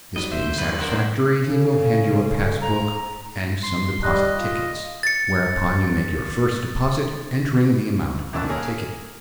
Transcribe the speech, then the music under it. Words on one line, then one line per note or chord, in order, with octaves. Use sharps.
This being satisfactory, he will hand you a passbook, and some deposit tickets, whereupon you make your first deposit, entering the amount on the ticket.
G#2 F#3 G3 D#5
C5 E5
G1 F#2 B4 G5 G6
B3 D4 A#4 C5 F#5
C#3 A4
A#5
C6
G3 D#5 F#6
F4
A6 C#7
F#2 D#3 A5 E6 F#6
A#3 C#4 G#4 A#4